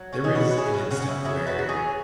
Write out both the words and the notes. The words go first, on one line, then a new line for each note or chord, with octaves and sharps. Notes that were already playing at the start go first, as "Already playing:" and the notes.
there is an instant where
Already playing: F#3
C#4 F#4
B2 G#4
F#4 B4
B4
C#3 E4 G#4
C#4 F#4
C#3 C#4 F#4
B3 E4
F#3 E4 G#4
F#4 B4
F#3
G#4 C#5